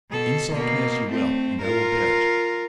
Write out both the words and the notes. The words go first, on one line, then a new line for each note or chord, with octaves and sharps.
Insult me as you will, and I will bear it.
B2 A4
B2 A#3
A3 C4
F4 A#4